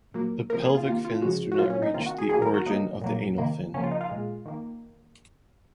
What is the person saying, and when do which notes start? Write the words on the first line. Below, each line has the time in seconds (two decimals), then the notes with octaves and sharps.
The pelvic fins do not reach the origin of the anal fin.
0.14 A#2 F#3 A#3
0.50 C3 F3 A#3 A#4
0.62 G#4
0.75 F4
0.86 C3 D#3 A#3 F4
1.05 F4
1.22 C#3 F3 G#3 F#4
1.52 F#4
1.58 A#2 F#3 A#3 F4
1.70 C#4
1.82 D#4
1.94 C3 D#3 A#3 F4
2.06 F#4
2.18 G#4
2.29 D#3 F#3 A#3 G#4
2.42 A#4
2.54 F#4
2.66 C#3 F#3 A#3 D#4
3.01 A#2 F#3 A#3
3.38 C3 D#3 A#3
3.74 C#3 F3 A#3 C#4
3.84 F4
3.91 D#4
4.01 F4
4.09 A#2 G#3
4.46 D#3 A#3